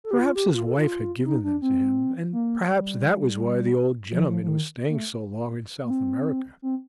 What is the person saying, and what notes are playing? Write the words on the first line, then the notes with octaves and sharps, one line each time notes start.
Perhaps his wife had given them to him, and perhaps that was why the old gentleman was staying so long in South America.
A4
G4
F4
G4
F4
A4
F4
D#4
D4
C4
A#3
G3
F3
F3
F3
D#3
A#3
A3
A#3
C4
C4